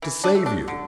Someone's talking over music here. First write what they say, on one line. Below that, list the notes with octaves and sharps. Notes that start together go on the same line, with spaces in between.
"To save you!"
E3
D4
A3
D4
D3